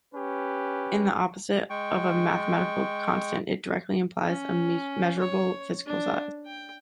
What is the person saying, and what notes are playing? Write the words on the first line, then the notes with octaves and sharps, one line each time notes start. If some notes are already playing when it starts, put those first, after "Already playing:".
In the opposite of a mathematical constant, it directly implies a measurable physical size.
C#4 G4 B4
G#3 G5 C#6
C#4
C#5
D4
G5